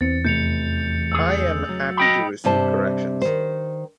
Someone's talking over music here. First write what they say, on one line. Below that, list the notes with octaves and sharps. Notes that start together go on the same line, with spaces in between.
I am happy to receive corrections.
E2 C4 A6 C#7
F1 G6 C#7 F7
C#2 G#4 E6
F#3
D#5 G5 B5 D#6
G2 C3 G3 C5 A5
D#3 C5